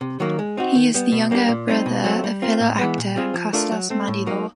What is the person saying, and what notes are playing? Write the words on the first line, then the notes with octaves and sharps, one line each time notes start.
He is the younger brother of fellow actor Costas Mandylor.
C3
D#3 F#3 A#3
G#3
C4 D#4 F#4
D#3
G3 B3
B2
G3 A#3 D4 G4
A#2
G3 C4 D#4
B2
F#3 A3 C4
G3
C4 F4 A#4
A2
E3 G#3 B3
A#2
G3 C4 F4 G#4
F3
A3 D4 F4 A#4
F#3
A3 C4
A2
F#3 A#3 D#4